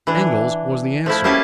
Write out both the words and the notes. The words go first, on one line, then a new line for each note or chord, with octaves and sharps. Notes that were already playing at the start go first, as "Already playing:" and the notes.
"Angles," was the answer.
E3 D4
F3 A3 E4
A#3 C#4 E4 G4 G#5 A5